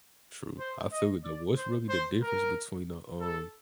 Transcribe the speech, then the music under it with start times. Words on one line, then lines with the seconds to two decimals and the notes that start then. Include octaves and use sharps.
True. I feel it though. What's really the difference between a, um,
0.59 C5
0.92 D#5
1.24 D5
1.57 C5
1.89 C5
2.23 A#4
3.20 A4